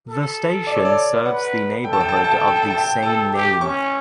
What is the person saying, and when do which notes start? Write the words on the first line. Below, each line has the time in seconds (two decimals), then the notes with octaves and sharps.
The station serves the neighborhood of the same name.
0.08 A4
0.67 D5
0.76 C#5
0.85 D5
1.25 B4 F#5
1.84 A4 G5
1.93 A5
2.00 G5
2.09 A5
2.17 G5
2.24 A5
2.32 G5
2.40 A5
2.48 G5
2.56 A5
2.62 G5
2.70 A5
2.78 G5
3.02 A4 A5
3.32 G4
3.61 C#4 C#6